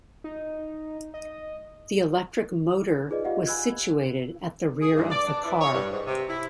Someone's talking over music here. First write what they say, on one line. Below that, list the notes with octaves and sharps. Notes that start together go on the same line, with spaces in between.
The electric motor was situated at the rear of the car.
D#4
D#5
D#4 F4 G#4 B4 D5 D#5
F4 G4 D#5 F5 F#5
G#5 B5 E6 F#6 G#6
G#4
G2
D5
D4
E3
C#5
G2
G#2
C3
E4